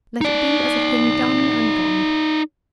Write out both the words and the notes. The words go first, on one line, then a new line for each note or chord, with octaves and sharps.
Let it be as a thing done and gone.
D#4 D5